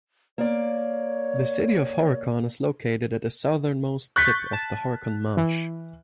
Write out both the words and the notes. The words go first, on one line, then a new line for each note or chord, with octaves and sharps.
The city of Horicon is located at the southernmost tip of the Horicon Marsh.
A#3 C#5 D5
C#6 F#6 G6 A6 B6
A5
E3